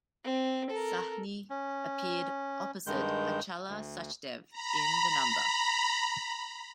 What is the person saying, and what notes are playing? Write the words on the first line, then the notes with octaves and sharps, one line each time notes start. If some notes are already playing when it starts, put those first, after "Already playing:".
Sahni appeared opposite Achala Sachdev in the number.
C4
A4 A#4
C#4
G2 D#3 G#3 G6
D2
A#5 B5